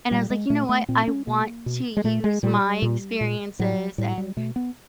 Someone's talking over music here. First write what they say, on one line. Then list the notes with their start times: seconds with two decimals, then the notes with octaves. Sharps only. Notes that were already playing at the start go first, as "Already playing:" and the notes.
And I was like, "You know what, I want to use my experiences and
0.11 A#2 G3
0.30 G#3
0.50 A#2 A3
0.69 A3
0.88 A#2 C4
1.08 C#4
1.27 B2 A#3
1.66 B2
1.97 G#3
2.04 A#2 A3
2.24 G#3
2.43 A#2 G3
2.82 A#2
3.21 A#2
3.59 A2 F#3
3.98 A2 G3
4.18 G3
4.37 B2 A3
4.56 B3